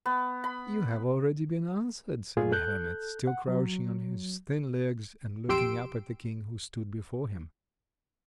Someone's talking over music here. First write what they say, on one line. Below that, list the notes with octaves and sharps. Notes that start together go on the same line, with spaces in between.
"You have already been answered!" said the hermit, still crouching on his thin legs, and looking up at the King, who stood before him.
B3
B5
A#2 A3 F4 G#4
A4 F#6 G6
F#5
F#3
B1 F2 G4 C6 E6 D7